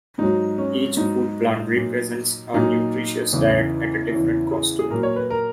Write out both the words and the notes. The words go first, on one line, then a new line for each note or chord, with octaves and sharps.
Each food plan represents a nutritious diet at a different cost.
G#2 F#3 D#4
C#4
G#2 F#3 D#4
A#2 F#3
A#2 F#3 D#4
E2 C#3 E3
E2 C#3 E3 E4
G#4
G#4
A#2 F#3 A#4
C#5
B4
A#4